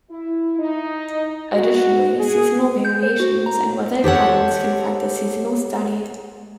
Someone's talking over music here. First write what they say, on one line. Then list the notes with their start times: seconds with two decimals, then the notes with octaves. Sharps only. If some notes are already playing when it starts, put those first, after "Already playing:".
Additionally, seasonal variations and weather patterns can affect a seasonal study.
0.10 E4
0.59 D#4
1.53 F#4
2.18 G#4
2.85 G6
3.03 C5
3.20 F#4
3.46 A#5
4.04 G4 A4 C#5 F#5